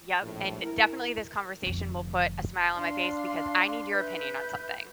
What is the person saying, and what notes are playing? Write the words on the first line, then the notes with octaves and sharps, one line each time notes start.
Yep, and definitely this conversation will put a smile on my face because I need your opinion on something.
A#1 A2
E4 A#4
F1 D3
D4 F5 C6
B4 E5 G6